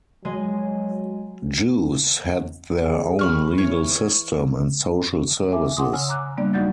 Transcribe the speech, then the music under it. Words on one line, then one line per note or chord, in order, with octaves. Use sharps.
Jews had their own legal system and social services.
F#3 G#3 D#5 G#5
G#4
B5 C#6 F6
E3 C#5
E5 G#5 D6
F#5 G#5 C6 D6 D#6
C#3 C#5 G#5 E6 F6
A#5 D6 F#6
G3 A#3 B3 D4 D5
F#3 D#4 F#4 F#5 G6 A6